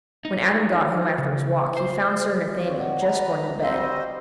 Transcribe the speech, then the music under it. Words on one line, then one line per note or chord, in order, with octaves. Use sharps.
When Adam got home after his walk, he found Sir Nathaniel just going to bed.
D#4
C#3
C5
C4 F#4 C#5 D5 F5
D#5 F#5
G3 B4 A5 A#5
G3 C4 F#4 C5 D#5 E6